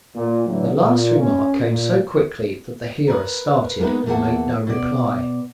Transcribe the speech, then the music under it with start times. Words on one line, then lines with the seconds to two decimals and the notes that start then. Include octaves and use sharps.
The last remark came so quickly, that the hearer started, and made no reply.
0.16 A#2
0.47 A2 D3 E3 F#3
0.82 A#2
1.18 C#4
1.62 A#2
3.08 A#4 B4
3.79 G#3 A#3 B3 D#4 B4
4.06 E2 A3 A#3 A4 F#5
4.67 B2 D5